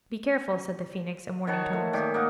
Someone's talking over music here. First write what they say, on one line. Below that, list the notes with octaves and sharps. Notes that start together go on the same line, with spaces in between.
Be careful,' said the Phoenix, in warning tones.
D#3 F#4 C#5 A5
A3
A#2 D#3 G4
A#3 D#4 F#4